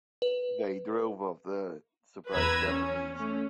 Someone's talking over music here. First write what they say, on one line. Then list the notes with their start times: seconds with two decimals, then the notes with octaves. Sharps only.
They drove off the surprised Japanese.
0.22 B4
2.32 E2 B4 A#5 E6 G#6
2.69 C#4
3.17 A3 C#4